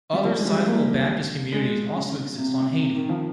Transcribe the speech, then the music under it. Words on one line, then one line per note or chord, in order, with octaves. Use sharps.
Other sizable Baptist communities also exist on Haiti.
G3
F3
G#3
G3
A#3
G#3
C#3
C3
C3
C3
D#3
F3